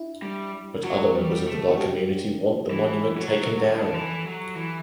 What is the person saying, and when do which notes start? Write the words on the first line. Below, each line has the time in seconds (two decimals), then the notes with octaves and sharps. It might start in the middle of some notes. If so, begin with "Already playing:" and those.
But other members of the Black community want the monument taken down.
Already playing: D4 E4
0.22 G3
0.84 F#3 F#4
1.15 G3
1.31 F#4
1.47 A3
1.69 F#4
1.77 G4
2.70 E3
3.18 F#3
3.64 D3 A4
3.94 E3
4.26 F#3
4.56 E3